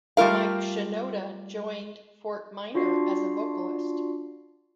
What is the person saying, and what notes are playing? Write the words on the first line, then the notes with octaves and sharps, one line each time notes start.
Mike Shinoda joined Fort Minor as a vocalist.
G3 A3 F4 A#4 F5
D4 F4 F#4 D5 C7